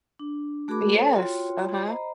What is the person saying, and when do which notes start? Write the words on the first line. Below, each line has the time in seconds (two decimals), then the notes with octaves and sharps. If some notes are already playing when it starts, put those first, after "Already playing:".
Yes, uh-huh.
0.19 D4
0.68 A3 F#4 G#4 A#4 B5 D6
0.92 A4 C5 C#5
1.16 F4 F#4 C#5 G5 C6
1.85 C5 D#5 A#5 B5